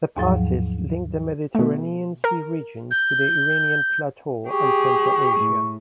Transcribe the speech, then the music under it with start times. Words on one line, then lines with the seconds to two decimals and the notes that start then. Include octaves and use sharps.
The passes linked the Mediterranean Sea regions to the Iranian Plateau and Central Asia.
0.17 D#2 G#2 F3 F#3
1.55 B2 A3
2.24 A#4
2.91 G6
4.49 G4 G#4 C#6
5.40 A2